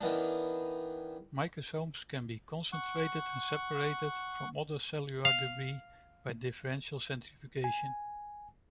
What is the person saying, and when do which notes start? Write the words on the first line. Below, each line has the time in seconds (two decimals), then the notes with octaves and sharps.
Microsomes can be concentrated and separated from other cellular debris by differential centrifugation.
0.01 D#3 E3 B3 C#4 D4
2.72 F#5 C#6
5.25 F5
7.64 G#5